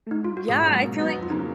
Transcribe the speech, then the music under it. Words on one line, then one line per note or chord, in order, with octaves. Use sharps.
Mm, yeah, I feel like
D#4
F4
F#4
G#2 G#4
F#3 A#3 C#4
B2
F#3 B3 D#4 F#4
F2
F4
C#3 F#3 A#3 D#4
C#4